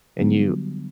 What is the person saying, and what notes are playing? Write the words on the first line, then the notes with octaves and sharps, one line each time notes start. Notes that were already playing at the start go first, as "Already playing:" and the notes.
and you
D3 F#3 G3 B3